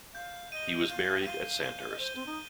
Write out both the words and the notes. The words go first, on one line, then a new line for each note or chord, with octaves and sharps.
He was buried at Sandhurst.
F5 G6
D#5 D#7 G7
F5 G6
G5
F5 D#7 G7
F5 G6
D#5
C5 D#7 G7
C4
D#4